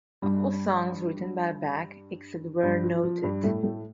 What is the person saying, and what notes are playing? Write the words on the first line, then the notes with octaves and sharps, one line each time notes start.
All songs written by Beck, except where noted.
G2 G3
G2 G3
F3
F3
G2 G3
A2 A3
A2 A3